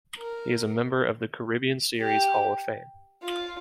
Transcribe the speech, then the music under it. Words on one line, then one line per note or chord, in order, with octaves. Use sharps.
He is a member of the Caribbean Series Hall of Fame.
A#4
G4
F4